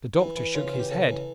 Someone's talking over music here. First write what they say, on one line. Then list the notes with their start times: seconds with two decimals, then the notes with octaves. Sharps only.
The doctor shook his head.
0.19 E3 E4
0.37 E3 E4
0.55 C#3 F4
0.67 F4
0.73 E3
0.79 G4
0.91 C#3 A4
1.09 E3